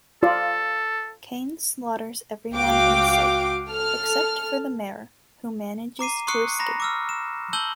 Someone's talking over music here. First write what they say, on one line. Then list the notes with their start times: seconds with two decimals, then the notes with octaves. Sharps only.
Cain slaughters everyone in sight, except for the mayor who manages to escape.
0.23 F4 A4 D5
2.52 C#2 F#4 F5 G5 D6
3.69 A4 F6
5.99 A#5 D6 C7 D#7
6.27 C6 C#6 D#6 F#6 C7 C#7
6.59 A#5 B5 A#6
6.80 D6 E6 F6
7.09 E7
7.53 A5 E6 G6 F#7 G7